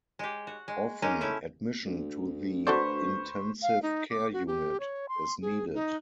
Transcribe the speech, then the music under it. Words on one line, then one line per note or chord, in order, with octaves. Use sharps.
Often, admission to the intensive care unit is needed.
G#3 G4
F#4
G#3
G#3 A#3 C#4 D#4
A3 C#4 E4
D2
F#4 A4 B4 C5 D5 C#6
F5
D#4
D6
F#4
G4
C#5
C6
G#4
D#4